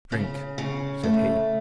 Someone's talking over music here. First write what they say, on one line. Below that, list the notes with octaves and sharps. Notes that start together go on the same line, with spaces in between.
"Drink!" said he.
C#3
C#3
A3